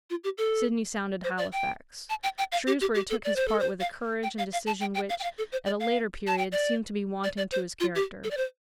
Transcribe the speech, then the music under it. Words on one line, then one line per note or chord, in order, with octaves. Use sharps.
Sidney sounded Halifax. Shrewsbury took his part with a courage and decision which, at a later period, seemed to be wanting to his character.
F4
G4
A4
C5
D5
G5
A5
G5
G5
F5
G4
G4
G4
A4
D5
C5
A4
C5
F5
G5
F5
F5
A5
G5
G5
F5
G5
F5
A4
C5
D5
F5
A5
G5
D5
D5
D5
C5
F4
G4
A4
D5
C5